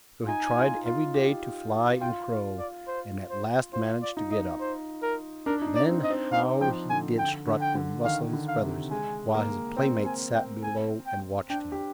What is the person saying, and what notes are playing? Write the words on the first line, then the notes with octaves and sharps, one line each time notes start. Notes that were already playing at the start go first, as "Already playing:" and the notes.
So he tried every day to fly and crow, and at last managed to get up; then how he did strut and rustle his feathers, while his playmates sat below and watched him.
F4
D#4 G#5
F4
F4
G4
F4 G5
F5
D5
C5
C5
F4 C5
D5
D#4
D#5
C5
A#4
D4 A#4
D#4
D4
D5
C4
D#5
C4
D#4 F5
F3 G5
D3 G#5
D3 G5
D3
G5
D3
D#3 F5
D3
F5
C3
G#3 G#5
A#3
C4 G5
G#5
G5
G#5
G5
D4 G5
G4